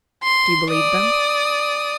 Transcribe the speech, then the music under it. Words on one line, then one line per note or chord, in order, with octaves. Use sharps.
"Do you believe them?"
C6
D5 D#6